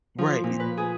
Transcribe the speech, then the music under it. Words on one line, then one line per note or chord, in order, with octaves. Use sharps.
Right, y
F3
A#2
B4
G#4